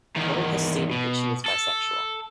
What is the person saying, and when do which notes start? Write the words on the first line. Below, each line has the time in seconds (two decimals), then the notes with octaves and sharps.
Byrd has stated that she is bisexual.
0.17 E2 D#3
0.91 B2
1.46 A4